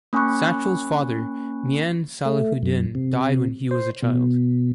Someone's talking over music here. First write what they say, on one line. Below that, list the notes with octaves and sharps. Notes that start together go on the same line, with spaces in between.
Sachal's father Mian Salahuddin died when he was a child.
A#3 C#4 G#5 B5 C#6 F#6
A3
F#2
C3
C5
B2